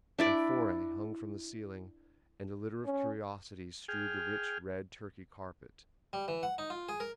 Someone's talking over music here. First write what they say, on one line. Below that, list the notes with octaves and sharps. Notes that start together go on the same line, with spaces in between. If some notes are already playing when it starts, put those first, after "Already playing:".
Amphorae hung from the ceiling, and a litter of curiosities strewed the rich red Turkey carpet.
D4 E4 D5
C#4
G#4 G5 F6
G3
E3
F#5
D#4
F4
G#4
A#4